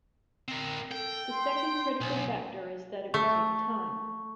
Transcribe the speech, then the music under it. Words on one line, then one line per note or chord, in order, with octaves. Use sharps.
The second critical factor is that it will take time.
C4 A#4
A4 G5
C6
B1 G#5
A3 C#6